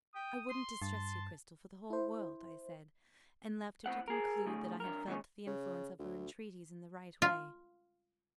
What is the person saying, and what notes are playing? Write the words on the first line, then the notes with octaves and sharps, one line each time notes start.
"I wouldn't distress you, Cristel, for the whole world," I said--and left her to conclude that I had felt the influence of her entreaties in the right way.
G5 D#6
C6
G2 A5 C6
E4 C5
A2 B3 C4 F#5
G#4 A#4
D2 A2 G#4
G2 A#4
D#2 G#2 C#3 C#4
C#3
D2
F4